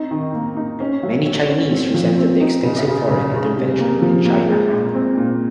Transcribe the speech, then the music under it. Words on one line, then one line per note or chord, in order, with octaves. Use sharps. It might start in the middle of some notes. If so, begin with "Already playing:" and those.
Many Chinese resented the extensive foreign intervention in China.
Already playing: C4 D#4
D#3
A#3
D#4
C#4
F#3
F#3
C#4
C4
F3
C4
D#4
C#3
C#3
C#3
C#3
C3
A#3
F3
A#3
G#3
A#2
C4
A#2